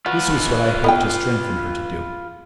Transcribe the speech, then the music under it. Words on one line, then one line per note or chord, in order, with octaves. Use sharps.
This was what I hoped to strengthen her to do.
F4 F#4 B4
B3 D#5 G5